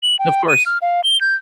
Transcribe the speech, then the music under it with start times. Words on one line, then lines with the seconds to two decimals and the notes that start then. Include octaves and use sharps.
Of course.
0.03 F#7
0.19 G5
0.49 D#7
0.66 F6
0.82 F5
1.04 G7
1.21 G6